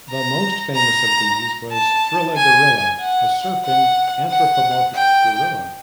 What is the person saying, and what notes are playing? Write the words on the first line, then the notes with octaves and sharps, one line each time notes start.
The most famous of these was Thrilla Gorilla, a surfing anthropomorphic gorilla.
A#5
A#5
A5
G#5
F#5
F#5
F#5
G5